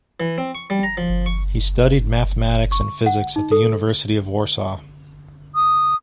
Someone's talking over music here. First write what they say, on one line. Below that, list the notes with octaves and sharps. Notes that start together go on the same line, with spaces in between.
He studied mathematics and physics at the University of Warsaw.
E3
C4
C#6
G3
A#5
F3
C#6
C#6
F#5
D#4
A4
D#6